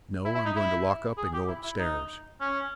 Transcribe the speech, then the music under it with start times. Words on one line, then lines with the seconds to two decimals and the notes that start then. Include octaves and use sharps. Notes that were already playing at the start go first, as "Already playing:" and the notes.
"No; I'm going to lock up and go upstairs."
0.25 E4
0.35 E4
0.45 D#4
0.56 E4
1.18 G#4
1.33 G4
1.48 E4
1.64 E4
1.79 D#4
2.41 C#4